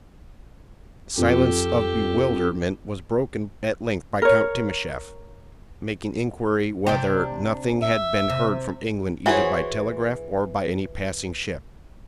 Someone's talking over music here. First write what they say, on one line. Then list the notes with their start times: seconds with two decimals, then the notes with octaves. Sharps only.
The silence of bewilderment was broken at length by Count Timascheff making inquiry whether nothing had been heard from England, either by telegraph or by any passing ship.
1.17 F2 G4 A4
4.22 A#4 C#5
6.87 C3 D4 G4
7.82 E5
8.30 C3
9.26 E3 F#4 G#4 C5 C#5